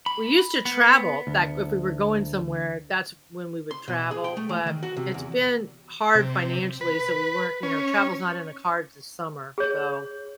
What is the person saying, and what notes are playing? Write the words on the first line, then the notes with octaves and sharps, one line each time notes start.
we used to travel back if we were going somewhere, that's when we would travel, but it's been hard financially, so we weren't, you know travel's not in the cards this summer, so
B5
B3
D2
C6
B2
G#4
G5
A3
E3
D#3
F#4
C3
E2
C3
B4
C#4
G#4 C#5